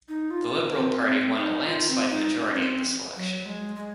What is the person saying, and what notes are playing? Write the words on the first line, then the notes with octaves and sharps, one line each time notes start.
The Liberal Party won a landslide majority in this election.
D#4
F4
A#4
C4
C4
D#4
F4
C4
D#4
D#4
C#4
C4
F#3
G#3
G#3